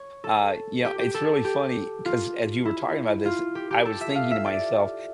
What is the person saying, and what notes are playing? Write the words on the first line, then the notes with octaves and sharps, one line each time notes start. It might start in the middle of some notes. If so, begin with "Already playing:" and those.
uh, you know, it's really funny, 'cause as you were talking about this, I was thinking to myself,
Already playing: C#5
A4
G4
G4
A4
G4
F4
E4
F4
G4
G4
A4
E5
F5
E5
D5